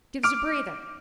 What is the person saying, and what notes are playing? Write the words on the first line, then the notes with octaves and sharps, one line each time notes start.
Give's a breather.
D6 F6 D7